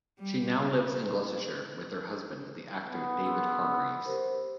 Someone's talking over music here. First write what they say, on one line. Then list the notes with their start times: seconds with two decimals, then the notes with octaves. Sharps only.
She now lives in Gloucestershire with her husband, the actor David Hargreaves.
0.18 G3
2.83 B3
3.26 G#4 C6 E6
4.06 G4 A#4 C5